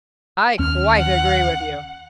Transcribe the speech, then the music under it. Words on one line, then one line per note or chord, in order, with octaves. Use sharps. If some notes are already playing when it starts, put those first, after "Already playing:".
"I quite agree with you."
D#2 C#4 F6
F#5